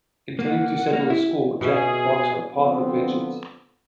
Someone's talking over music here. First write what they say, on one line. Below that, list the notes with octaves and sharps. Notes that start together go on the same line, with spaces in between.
Intending to settle the score, Jack embarks on a path of vengeance.
A#3 F#5
A#3
E4
B2 G#4 E5
D3 F3 B3 C4 A4